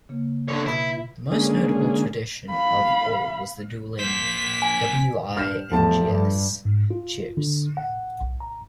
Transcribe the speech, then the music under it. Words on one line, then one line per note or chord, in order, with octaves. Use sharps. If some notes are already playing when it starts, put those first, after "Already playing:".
The most notable tradition of all was the dueling "W-I-N-G-S" cheers.
C#3 A#3
D3 C#5
B2 E4
D3 G#3 A#3 C#4 G#4
F5 B5
A#3 C5 B6
G#5
G2 F6 G6 E7
E2 F3 A3 G4 A5
G2
G#2
F4
D3
F#5
B1
A#5